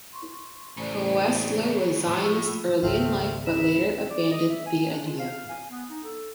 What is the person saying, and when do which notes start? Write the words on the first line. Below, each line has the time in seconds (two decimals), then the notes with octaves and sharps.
Koestler was Zionist early in life, but later abandoned the idea.
0.13 C6 C#6
0.77 A1 E2 C#3 A3 C5 D5
2.07 A2 F3 E6
2.83 G#1 C#2 A3 C4 F5
3.46 E5 A#5 B5 E7
3.97 C4
4.10 D5
4.31 D#5
4.49 E5
4.66 G#5
4.90 D4
5.06 F4
5.19 F5
5.50 G#5
5.70 B3
5.90 D#4
6.04 A4